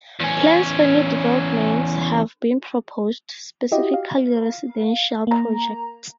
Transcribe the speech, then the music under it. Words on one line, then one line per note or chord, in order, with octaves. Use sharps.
Plans for new developments have been proposed, specifically residential projects.
E2 C#4
E4 F#4 G4 D#5
F5
A#3 A#5